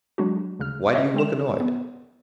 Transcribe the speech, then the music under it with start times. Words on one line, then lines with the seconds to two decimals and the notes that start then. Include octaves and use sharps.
Why do you look annoyed?
0.18 F#3 G#3 D4 F#4
0.59 D2 C#3 F6
0.94 C#5 D#5 E5
1.14 G#3 C4 E7
1.60 B3